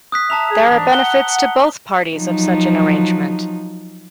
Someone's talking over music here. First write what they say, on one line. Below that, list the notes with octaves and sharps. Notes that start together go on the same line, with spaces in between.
There are benefits to both parties of such an arrangement.
D#6 F#6 B6
E5 A5 A#5 F7
G#4
G#2 E3 D4
F#5 G7
F3 F#3 D#4